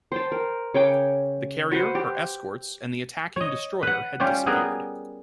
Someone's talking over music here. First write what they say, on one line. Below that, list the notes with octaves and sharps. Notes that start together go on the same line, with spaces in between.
The carrier, her escorts, and the attacking destroyer had disappeared.
C5 G5 A5
A#4
C#3 C#5 G5 D6
F#4 B4 C5
G4
C#5 D#5
B4 F#5
G3 C#4 F4 G4
G3 B3 G#4 A#4